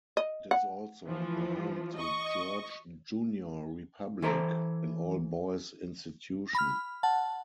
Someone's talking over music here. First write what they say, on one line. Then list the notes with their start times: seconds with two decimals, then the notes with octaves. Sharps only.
It is also the home to George Junior Republic, an all-boys institution.
0.17 D#5
0.51 F#5
1.06 E3 F3
1.96 D#5 C#6
4.22 E3 A4 C5 E5 A#5
6.55 B5 F6
7.03 F#5 A5